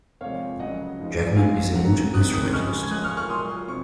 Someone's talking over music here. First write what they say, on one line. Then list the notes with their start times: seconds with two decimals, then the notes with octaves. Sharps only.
Jackman is a multi-instrumentalist.
0.21 C3 F3 G#3 C#5 F5
0.59 F2 C#3 F#3 D#5 F#5
0.99 G#2 F3 G#3
1.36 G#2 F#3 F5 G#5
1.75 C3 F#3 F#5 A#5
2.14 C3 D#3 F#3 D#6 F#6
2.34 D#6 F#6
2.45 D#6
2.53 F2 C#3 G#3 C#6 F6
2.83 G#6
2.91 A#2 F3 G#3 D#6 F#6
3.04 C#6 F6
3.17 C#6 F6
3.30 A#2 F#3 C6 D#6
3.68 C3 C#6